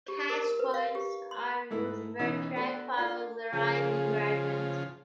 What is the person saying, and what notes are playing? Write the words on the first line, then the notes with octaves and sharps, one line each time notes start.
"Catch points" are used where track follows a rising gradient.
G4
A#4
A#4
B4
F5
G4
C6
G#2 A3 E4 A4 B5
B2 E3 C#4 D#4 E4
B3 D4 F#4 A4
D4 F4 A4
C#3 F3 G#4